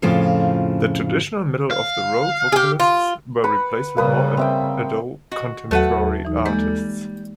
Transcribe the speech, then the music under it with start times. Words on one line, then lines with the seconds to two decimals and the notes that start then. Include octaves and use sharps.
The traditional middle-of-the-road vocalists were replaced with more adult contemporary artists.
0.02 F2 A2 C#3 F3 F4 A4
1.71 F5
2.52 G4 G#4
2.80 F4
3.44 B4 F#5 B5
3.97 C#3 G3 A#3 B4 D#6
4.37 C4 E5 G5
5.32 F#4 D#5
5.71 D#2 F#3 A3 F#4 A4 B4 F#5
6.25 E3 D#4
6.45 G3 G#3 A#3